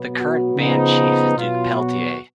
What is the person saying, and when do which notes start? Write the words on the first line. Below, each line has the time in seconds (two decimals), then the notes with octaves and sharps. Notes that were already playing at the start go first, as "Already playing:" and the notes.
The current band chief is Duke Peltier.
Already playing: B2 F#3 B3
0.16 F#4
0.56 C#3 F3 B3 D#4
1.37 B2 F#3 B3 F4
1.76 F#4